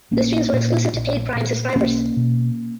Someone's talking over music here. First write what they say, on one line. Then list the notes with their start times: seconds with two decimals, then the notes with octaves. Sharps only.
The streams were exclusive to paid Prime subscribers.
0.11 A#1 A#3 C#4
0.53 A#2
0.94 A#1
1.35 A#2
1.76 B1 A#3 C#4
2.17 B2